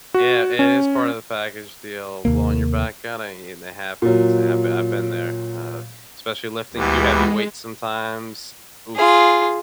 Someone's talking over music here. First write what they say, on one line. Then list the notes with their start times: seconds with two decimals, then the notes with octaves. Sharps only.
Yeah. It is part of the package deal, blowing your back at it, and it happens. I have b I've been there, uh, especially lifting too heavy weights sometimes, oof,
0.14 F#4
0.59 C#4
2.25 D#2 C3 A#3
4.02 A#2 F#3
6.74 D2 E3 G3 G#3 B3
8.96 F4 G#4